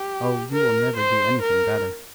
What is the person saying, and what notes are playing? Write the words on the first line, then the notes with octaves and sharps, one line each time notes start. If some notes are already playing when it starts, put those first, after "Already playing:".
Oh, you will never do anything better.
Already playing: G4
A#4
C5
A#4